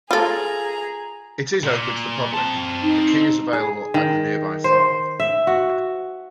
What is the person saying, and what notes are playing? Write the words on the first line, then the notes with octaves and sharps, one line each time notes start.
It is open to the public; the key is available at the nearby farm.
F4 G#4 A4 A#5
A#2
C4 A5
D#4
G#4
D#3
C5
E5
F#4